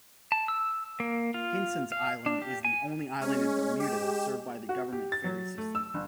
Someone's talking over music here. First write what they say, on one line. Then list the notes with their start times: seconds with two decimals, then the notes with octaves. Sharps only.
Hinson's Island is the only island in Bermuda served by the government ferry system.
0.32 A5
0.48 E6
1.00 A#3
1.34 F4
1.92 F5
2.26 D4
2.42 G4
2.65 G#5
3.21 G#3 C#4
3.80 G4 E7
4.69 F#4
4.93 G4
5.12 A6
5.24 F#3
5.58 A3
5.75 E6
5.94 G1